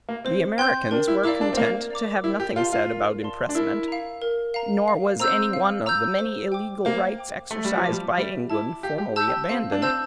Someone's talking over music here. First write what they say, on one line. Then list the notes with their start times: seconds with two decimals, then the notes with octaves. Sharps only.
The Americans were content to have nothing said about impressment; nor was any one of the many illegal rights exercised by England formally abandoned.
0.09 A#3
0.25 C4 C5
0.58 C4 G5 C6 G6
0.91 D4 A#4
1.08 E4
1.24 E4 D5 F5 A#5 D6
1.41 D4
1.53 C4
1.57 A#3 A#4
1.90 D5 F5 A#5 D6
2.23 E4 A#4
2.40 G4
2.56 F4 D5 F5 A5 C6
2.72 F4
2.89 A#4
3.22 D5 F5 A5 C6
3.49 D4
3.55 E4 A#4
3.88 F5 A#5
4.22 A#4
4.54 F5 A#5
4.88 F5
5.20 C4 A#5 E6 G6
5.53 F5
5.86 A#5 E6 G6
6.19 C5
6.52 G5 D6
6.85 A#3 C5
7.18 G5 D6
7.51 A3 E5
7.65 G3
7.77 F3
7.84 A5 D6
7.91 G3
8.18 G3 E5
8.50 E4 A5 D6
8.83 G4 F5
8.98 G4
9.16 A5 E6 G6
9.28 G4
9.49 C4 F5
9.72 D4
9.82 C4 A5 E6 G6